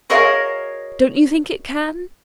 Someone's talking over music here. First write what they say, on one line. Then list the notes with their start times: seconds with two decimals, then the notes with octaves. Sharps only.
Don't you think it can?'
0.10 F#4 G#4 A#4 C#5 D#5 F5